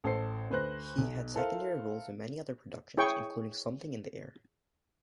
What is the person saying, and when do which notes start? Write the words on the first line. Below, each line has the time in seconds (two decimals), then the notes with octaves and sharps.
He had secondary roles in many other productions, including "Something in the Air".
0.04 A1 A4 C5 C7
0.50 D2 B4 C5 F#6 A#6
0.98 B1
1.35 E4 A4 A#4 C5 F5
2.97 E4 G#4 C#5 G5 C#6